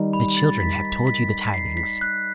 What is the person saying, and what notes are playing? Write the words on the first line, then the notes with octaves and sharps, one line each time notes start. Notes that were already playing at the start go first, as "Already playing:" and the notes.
The children have told you the tidings.
Already playing: D#3 G3 D#4
B5
A6
B6
B6
C7
B6
F#6